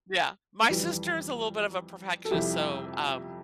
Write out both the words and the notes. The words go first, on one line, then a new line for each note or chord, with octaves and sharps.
Yeah, my sister is a little bit of a perfectionist, so, um,
F2 E3 G3
A4
F2 C3 G3 E4 G4